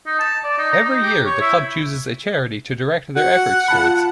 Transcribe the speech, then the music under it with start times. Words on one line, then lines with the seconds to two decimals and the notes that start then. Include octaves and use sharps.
Every year the club chooses a charity to direct their efforts towards.
0.06 D#4
0.19 A5
0.44 D5
0.58 D#4
0.72 A#5
0.85 D#4
1.01 G4
1.25 C#5
1.40 E4
3.16 F#4 F#5
3.68 F4 A5 B5